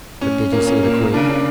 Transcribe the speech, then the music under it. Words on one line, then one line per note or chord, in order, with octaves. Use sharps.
"But did you see the queen?"
A2 C#4
A#2 A#3
C#4
A#2 A#3
C#3 D4
D4